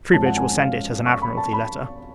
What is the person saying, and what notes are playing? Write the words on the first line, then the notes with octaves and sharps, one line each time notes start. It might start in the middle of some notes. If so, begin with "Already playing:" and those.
Troubridge will send it, as an Admiralty letter.
G#1 F#2 F3 G#3 C#4 A5
F#5
G#5
F5
C#6
B5
A5
B5